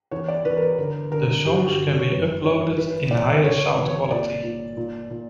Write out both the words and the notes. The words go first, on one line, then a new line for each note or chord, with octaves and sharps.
The songs can be uploaded in higher sound quality.
E2 C#5
D5
E2 B4
A#4
B4
D3 A#4
D3 A#4
G2 G4
F#4
G4
D3
C#5
F#2 B4
E3 C#5
E3 B4
E3 D5
D3 C#5
C#5
B4
E2
C#5
A#2 D5
A#2
A#2
A#2